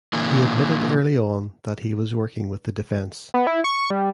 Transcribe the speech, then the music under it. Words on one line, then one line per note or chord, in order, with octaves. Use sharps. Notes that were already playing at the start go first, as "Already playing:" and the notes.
He admitted early on that he was working with the defense.
A#2 D3 E3 A#3
B3
E4
C#6
G3